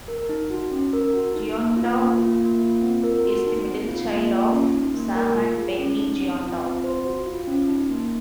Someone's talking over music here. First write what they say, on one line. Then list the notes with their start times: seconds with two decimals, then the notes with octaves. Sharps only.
Gionta is the middle child of Sam and Penny Gionta.
0.08 A#4
0.29 D#4
0.50 F#4
0.71 C#4
0.93 A#4
1.13 F#4
1.35 D#4
1.56 A#3
1.77 F4
1.98 A#3
2.19 F4
2.41 A#3
2.62 F4
2.82 C4
3.04 A#4
3.25 F#4
3.47 D#4
3.67 C4
3.88 F4
4.10 A#3
4.30 F4
4.52 C#4
4.73 D#4
4.94 A#3
5.15 A#4
5.36 F4
5.57 G#4
5.79 C#4
5.99 D#4
6.20 C4
6.42 F4
6.63 C4
6.84 C5
7.05 F#4
7.26 F4
7.47 C#4
7.68 D#4
7.90 A#3